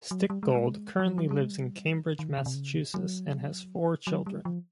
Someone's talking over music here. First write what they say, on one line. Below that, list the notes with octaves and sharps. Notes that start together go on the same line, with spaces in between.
Stickgold currently lives in Cambridge, Massachusetts and has four children.
F#3
G3
G#3
G#3
F#3
F3
F#3
G3
G#3
G3
D#3
C#3
C3
C#3
F#3
F#3
G3
F3